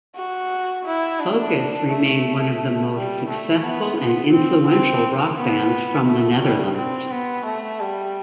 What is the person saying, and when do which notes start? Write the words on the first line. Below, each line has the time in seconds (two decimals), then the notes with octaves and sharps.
Focus remain one of the most successful and influential rock bands from the Netherlands.
0.16 F#4
0.86 E4
1.19 D4
1.90 A3
2.94 G3
3.29 A3
3.63 B3
3.99 B3
4.33 C4
4.67 C4
5.37 B3
6.06 A3
6.41 G3
6.77 C4
7.11 B3
7.46 A3
7.80 G3